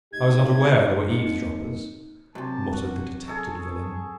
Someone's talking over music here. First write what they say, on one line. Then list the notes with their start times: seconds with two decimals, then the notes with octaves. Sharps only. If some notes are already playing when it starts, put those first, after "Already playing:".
'I was not aware there were eavesdroppers,' muttered the detected villain.
0.13 A2 D#4 G4 G#6
1.10 A#3 C4 D#4 C#7
2.35 F#2 C3 A5
2.72 F#4
3.28 G#4 A4 C#6